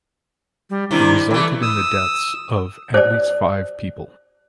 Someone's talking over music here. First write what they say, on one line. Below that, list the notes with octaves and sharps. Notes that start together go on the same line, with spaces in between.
It resulted in the deaths of at least five people.
G3
C3 D#3 D4 E4
E3 A3
D#6 E6
C5 D5